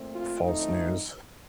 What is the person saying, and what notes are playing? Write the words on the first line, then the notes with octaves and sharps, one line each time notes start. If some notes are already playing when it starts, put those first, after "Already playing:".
false news.
Already playing: A#2 A3 C4
F4
D3 F3 A3 C4 D#4